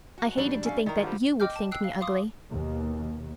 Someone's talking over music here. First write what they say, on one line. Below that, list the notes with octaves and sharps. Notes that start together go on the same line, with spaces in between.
I hated to think that YOU would think me ugly.
F#4
G#2 E3 F#3 G3 D4
A3 C#4 F5
D#3 E4 A#4
D3 F3 G3 F4
D#5 G5 D6 F6 G6
A5
G5 E6 F#6 C7
F5
F5 C6 D6 D#6
D#2 B2